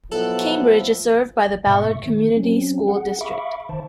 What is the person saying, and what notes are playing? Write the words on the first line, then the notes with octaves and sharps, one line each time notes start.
Cambridge is served by the Ballard Community School District.
B2 F3 F#3 B3 E4 A4 F#6
G#2 B2 E5 C#6
D#3
F#3 C4 C#4
G#4 F#5
E5 F5 B5 C#6 D6
D#3 C5 A5